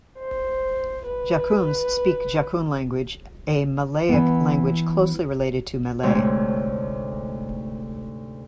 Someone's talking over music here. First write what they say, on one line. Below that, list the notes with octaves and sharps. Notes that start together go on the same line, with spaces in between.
Jakuns speak Jakun language, a Malayic language closely related to Malay.
C5
B4
E3 B3
D2 G#2 C3 G#3 A3 C#5